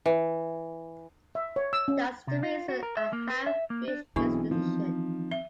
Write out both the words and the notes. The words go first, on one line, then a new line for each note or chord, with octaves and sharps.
That's the reason I have reached this decision.
E3
E5
C#5
E6
C#4
C3
F4
F#4
A#4
E5
A#3
B4
E5
A#3
D4
B1 E3 B3 C4 D4 E4 G#4 C#6
D#3 F3
E5 G7